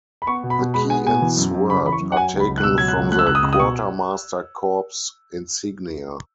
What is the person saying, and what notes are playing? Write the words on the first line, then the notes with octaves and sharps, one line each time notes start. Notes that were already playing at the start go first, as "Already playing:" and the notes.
The key and sword are taken from the Quartermaster Corps insignia.
B5
B3 C#6
B2
B5
B2
G#3 B5
B3 G#5
B2 G#5
E3
F#2
F#2
C#3 B5
E3 B5
C#6
F#2
F#5
F#3 G#5
C#2
B5
C#2
F#6
B2 E6
F#3 G#6
F#6
C#2
A3 F#6
E6
C#2 F#6
D#6
C#2
D#6
B2 C#6